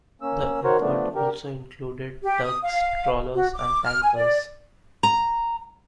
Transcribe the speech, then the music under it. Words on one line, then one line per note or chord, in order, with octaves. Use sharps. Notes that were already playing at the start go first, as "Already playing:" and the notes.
The effort also included tugs, trawlers, and tankers.
A#3 C#4 E6
D#3 F#4 A#4 C5 C#5
D3 F3 A3 B3 D4
D3 G4 A#4
G4
D#6
F5
F#4
D6
F6
G#5
D5
A#5